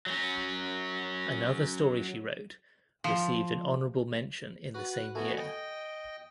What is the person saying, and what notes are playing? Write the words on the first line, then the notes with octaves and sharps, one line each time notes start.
Another story she wrote received an honorable mention in the same year.
F#3 C#4
F3
F#4 B4 F#6
A3 B3 F#4 G#5
D#5 G5 G#5